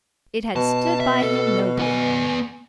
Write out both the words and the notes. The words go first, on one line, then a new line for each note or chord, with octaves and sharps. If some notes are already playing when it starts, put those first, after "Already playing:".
It had stood by him nobly.
B2 A5
E5
A4
B3 G#5